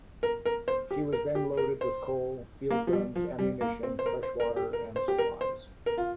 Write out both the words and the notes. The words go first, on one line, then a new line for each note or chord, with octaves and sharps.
She was then loaded with coal, field guns, ammunition, fresh water, and supplies.
A#4
A#4
C5
G4
A#4
G4
A#4
C5
A#3
F3
G3
F3
G3
A#3
C4
C5
A#4
C5
A#4
G4
A#4
C5
G4
A#4
C5
A#4
F4